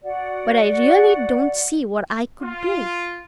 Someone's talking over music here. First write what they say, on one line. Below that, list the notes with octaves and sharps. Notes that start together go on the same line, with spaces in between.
But I really don't see what I could do.
F#4 D5 F#5
F4